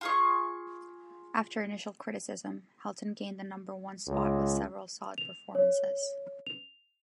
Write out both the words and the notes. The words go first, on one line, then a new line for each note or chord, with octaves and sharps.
After initial criticism, Helton gained the number one spot with several solid performances.
F4 G#4 C#6
C#2
F7
C#5
F7